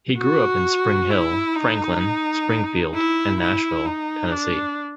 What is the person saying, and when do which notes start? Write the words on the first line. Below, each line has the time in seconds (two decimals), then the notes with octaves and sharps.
He grew up in Spring Hill, Franklin, Springfield, and Nashville, Tennessee.
0.18 F#4
1.10 E4
1.56 D#4
2.94 E4
3.40 E4
3.86 D#4
4.32 D4